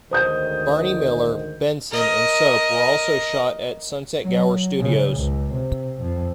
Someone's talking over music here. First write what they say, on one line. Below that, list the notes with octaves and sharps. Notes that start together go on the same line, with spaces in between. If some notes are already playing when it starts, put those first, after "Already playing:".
"Barney Miller", "Benson" and "Soap" were also shot at Sunset Gower Studios.
D2 G#2 D#3 C5 D#6 G6
A#4 D#5
F#3
C#3
C#2
C3
F2